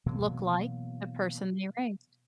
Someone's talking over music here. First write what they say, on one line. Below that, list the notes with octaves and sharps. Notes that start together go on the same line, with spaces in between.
look like the person they raised.
B2 E3 F#3 A#3